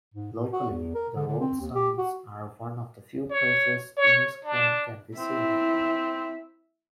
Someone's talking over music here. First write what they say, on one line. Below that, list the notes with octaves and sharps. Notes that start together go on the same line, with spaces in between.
Locally, the road signs are one of the few places "Inniscrone" can be seen.
G#2
A2
F#4
E2
A#4
D3
D3
C4
D#2
G4
F#4
C#5
C#5
D4
C4 E4 E5